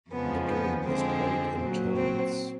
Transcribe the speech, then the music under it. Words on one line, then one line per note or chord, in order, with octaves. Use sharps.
The game is played in turns.
F2 C#3 F3 G#3 B3
B3
F2 D3 F3 G#3 C4
A#2 F#3
C4